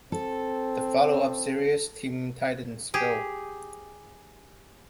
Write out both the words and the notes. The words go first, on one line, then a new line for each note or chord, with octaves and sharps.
The follow-up series, Teen Titans Go!
C4 A4
G4 G#4